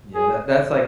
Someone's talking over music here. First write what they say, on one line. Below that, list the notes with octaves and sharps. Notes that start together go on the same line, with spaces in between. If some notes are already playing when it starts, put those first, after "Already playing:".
Yeah. That that's like
G#4